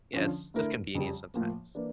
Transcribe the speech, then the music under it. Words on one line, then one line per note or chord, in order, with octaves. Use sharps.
yeah, it's just convenient sometimes.
D3 F3 C#4
D3 A3 E4 A#4
F2 C#3 G3
A2 F3 A#3
E3 A#3 D4